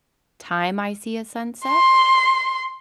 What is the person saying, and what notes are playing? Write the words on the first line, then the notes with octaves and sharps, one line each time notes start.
time I see a sunset.
C6